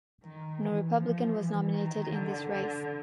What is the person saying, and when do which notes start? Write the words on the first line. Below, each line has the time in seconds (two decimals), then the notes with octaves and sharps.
No Republican was nominated in this race.
0.24 D#3
0.62 E3
0.99 F3
1.37 E3
1.74 D#3
2.13 D3
2.49 D3